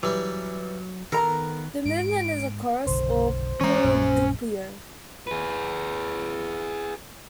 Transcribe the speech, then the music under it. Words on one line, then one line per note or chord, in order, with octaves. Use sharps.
The movement is a chorus, or "coro doppio".
E3 F#3 G3
D#3 B3 A4 A#4 A#5
G#2 D7
F#1 B1 D3 C5
E3 G#3 C#4 A#5
A#1 F#2 A#2
G#4 B4